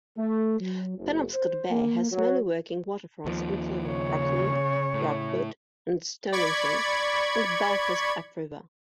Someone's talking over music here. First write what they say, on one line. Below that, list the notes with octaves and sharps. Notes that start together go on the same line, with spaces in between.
Penobscot Bay has many working waterfronts including Rockland, Rockport, and Stonington, and Belfast upriver.
A3
F#3
F#1
C5
A#3
F#3
D#2 F3
C#3 C#5
A2
D5 B5 C#6 G#6